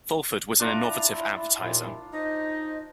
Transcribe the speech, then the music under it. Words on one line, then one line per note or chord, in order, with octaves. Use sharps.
Fulford was an innovative advertiser.
D4 E4 F4 A#5
D#2 A#2
D#4 C5 D#5